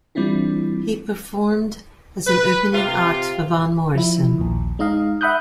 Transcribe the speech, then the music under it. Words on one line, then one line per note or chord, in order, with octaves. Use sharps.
He performed as an opening act for Van Morrison.
E3 G3 C4 D4 E4 F4
B4
C3 F4
F3 E4
A#1 D#2
G#3 D#4 D#5 F5
E5 F#5 B5 D#6 F#6 G6